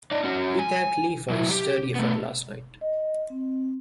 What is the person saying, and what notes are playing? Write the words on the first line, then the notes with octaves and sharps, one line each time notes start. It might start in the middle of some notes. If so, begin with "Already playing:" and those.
We thank Lee for his sturdy effort last night.
D#4 D5
C#4 F#4
G#5
F#3 E4
G4
A3 B3
D#5
C4